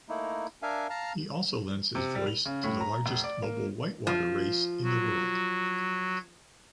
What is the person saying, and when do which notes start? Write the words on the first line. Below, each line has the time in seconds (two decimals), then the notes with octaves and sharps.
He also lends his voice to the largest mobile white-water race in the world.
0.09 A3 A#3 D#4 E4
0.62 D4 A#4 E5 F5 G#5
0.90 F5 A5 A#5 F6
1.95 C3
2.15 G3
2.27 F7
2.46 C#3
2.63 A2
2.81 A#5
3.06 F1
3.24 D5
3.43 A#3
4.07 F3
4.83 F#3 F#4